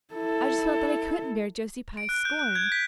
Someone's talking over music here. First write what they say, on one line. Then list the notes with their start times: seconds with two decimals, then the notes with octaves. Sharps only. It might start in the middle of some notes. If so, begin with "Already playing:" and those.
I just felt that I couldn't bear Josie Pye's scorn.
0.14 E4 A4
1.97 D7
2.09 F#6
2.25 G6
2.39 G6
2.55 G#6
2.72 B6